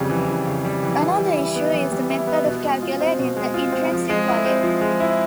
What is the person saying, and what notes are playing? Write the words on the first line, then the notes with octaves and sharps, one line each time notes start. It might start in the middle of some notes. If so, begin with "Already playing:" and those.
Another issue is the method of calculating the "intrinsic value".
Already playing: F2 C#3 G3
E3
F2
C#3
G3
E3
E3
G3
E4
B3
E3
G3
E4
B3
B2
G#3
F4
C4
B2
G#3
F4
C4
F3
G#3
E4
C4
F3
G#3
E4